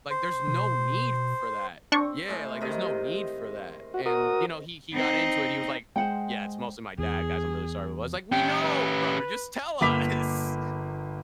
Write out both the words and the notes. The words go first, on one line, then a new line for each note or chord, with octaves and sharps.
Like, there's no need for that." Yeah, like, there's no need for that, and, you know, he he got into it, he was like, "Yeah, it's mostly my dad, guys, I'm really sorry about" I was like, "We know, brother, just tell us!"
C5
B2
C4 D4 C#6
A2 G#3 C5
C3 D#3 D#5
F#4
F#4 A#4 D#6
C4 D#4
G#3 C5 F#5 G5
E2 G#4
C#4 G4 G5
B4
G1 A#3 B5 D6 B6 F7